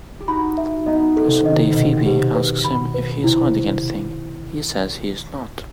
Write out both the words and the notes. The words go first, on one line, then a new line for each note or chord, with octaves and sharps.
Present-day Phoebe asks him if he is hiding anything; he says he is not.
G4
D#4 F#4 B5
E5
B3 D#4 D#5
A4
C3
D#3 D#5
C3
B2
D#5
C3
C3
B2 G4
B4
B2 B5
B4
C3 E4